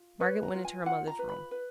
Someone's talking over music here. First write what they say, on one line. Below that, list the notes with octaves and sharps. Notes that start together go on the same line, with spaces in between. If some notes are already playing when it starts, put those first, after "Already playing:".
Margaret went into her mother's room.
Already playing: F4
B4 C#5
A#5
F4
G#5
F4 F#5
A#5
B4
B5
B4